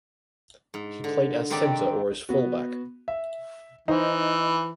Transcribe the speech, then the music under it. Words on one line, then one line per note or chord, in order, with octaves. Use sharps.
He played as centre or as fullback.
G#2
D3
G#2 D#3 C4 D4 G4 D5
B3 F#4
E5
E3 D#4 C5